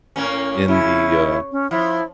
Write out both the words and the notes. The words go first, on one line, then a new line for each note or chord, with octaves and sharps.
in the, uh,
A2 A#3 C#4
C#3 E4
C#4
F3 E4